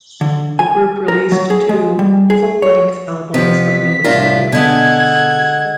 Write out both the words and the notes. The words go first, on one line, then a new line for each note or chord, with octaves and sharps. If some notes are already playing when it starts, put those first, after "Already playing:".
The group released two full-length albums of new material.
D3
G#5
A#4
F#3
G#4
G#3
G3
G#4
C#5
F2 C3 D#3 F3 B3 B6
C2 A2 D4 F4 A#4
B2 D3 G#3 A4 F#5 G#6